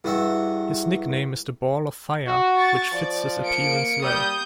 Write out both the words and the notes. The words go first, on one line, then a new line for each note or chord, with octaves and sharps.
His nickname is the "Ball of fire", which fits his appearance well.
G2 E4 F#4 G#4 E5
F#4
C#6 A6
F3 D5
A#3 C#7 D7
G3 D#6 G6